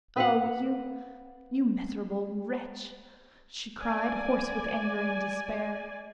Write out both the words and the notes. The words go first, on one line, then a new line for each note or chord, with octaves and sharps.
"Oh, you--you miserable wretch!" she cried, hoarse with anger and despair.
B4 F5 F#5
D5 G#5